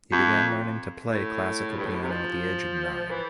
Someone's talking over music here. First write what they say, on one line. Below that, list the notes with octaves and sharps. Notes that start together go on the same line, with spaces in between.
He began learning to play classical piano at the age of nine.
F2
A2
G2
A2
B2
C3
F3
E3